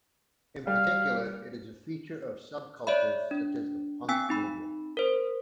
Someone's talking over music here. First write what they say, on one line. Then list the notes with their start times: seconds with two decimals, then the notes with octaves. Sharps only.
In particular, it is a feature of subcultures such as the punk movement.
0.67 G3 F5
2.87 C#5 D5 E5 B5
3.31 D4
4.09 C4 G5 G#5 E6 B6
4.29 C4 D#4 B5
4.97 A#4 C5